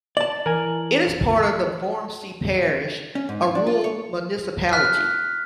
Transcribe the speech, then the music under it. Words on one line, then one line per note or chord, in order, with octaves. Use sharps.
It is part of Vormsi Parish, a rural municipality.
D5 A5 F#7
E3 A#4 G#5
C#4
G#2
C#5
D4
F4
C#5
F6 F#6 B6